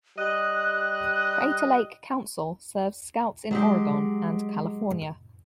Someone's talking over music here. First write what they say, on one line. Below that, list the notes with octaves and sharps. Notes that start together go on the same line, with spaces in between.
Crater Lake Council serves Scouts in Oregon and California.
G3 D#5 F#6
F#3 G#3 G4